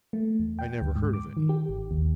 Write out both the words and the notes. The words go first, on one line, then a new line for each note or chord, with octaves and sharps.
I never heard of any.'
A3
E2
G5
D2
G#2
D6
D#3
G4
G#1
D#2